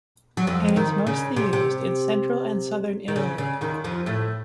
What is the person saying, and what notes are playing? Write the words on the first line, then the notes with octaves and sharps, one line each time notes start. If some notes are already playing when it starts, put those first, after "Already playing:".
It is mostly used in Central and Southern Italy.
F#3
F2 F3
D#2 D#3
C#3
C3
C3
D#3
C#3
C#3
D#2 D#3
F2 F3
A2 A3